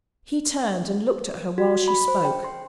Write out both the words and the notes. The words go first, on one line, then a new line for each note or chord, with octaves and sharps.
He turned and looked at her while she spoke.
F#4
B5
C5
G5
C6